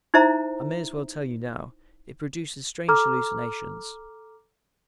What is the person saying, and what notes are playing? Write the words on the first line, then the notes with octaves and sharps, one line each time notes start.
I may as well tell you now, it produces strange hallucinations.
D#4 E4 C5 E5 A#5
A4 A#5 D6 F6